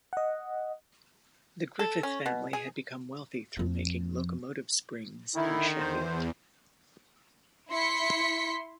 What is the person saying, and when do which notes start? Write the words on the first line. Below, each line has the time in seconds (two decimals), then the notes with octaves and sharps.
The Griffith family had become wealthy through making locomotive springs in Sheffield.
0.13 D#5 F#5
1.79 A4
2.03 C#4
2.26 B2
2.53 G#4
3.57 F2 F3
5.36 D3 D#3 E4
5.78 E2 C5
7.72 E4 C6 B6 C#7